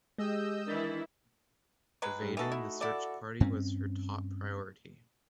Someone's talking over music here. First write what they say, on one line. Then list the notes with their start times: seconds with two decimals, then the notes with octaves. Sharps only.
Evading the search party was her top priority.
0.18 G#3 G4 G#4 D#5 E6 G6
0.67 D#3 E3 D4 E4 A6 B6
2.02 F#3 G#3 B4
2.21 G2
2.37 E3 A3 D#4 F#4 A4
2.52 E4
2.81 E4 F#4 A4 D5
3.40 G2 C4 C#4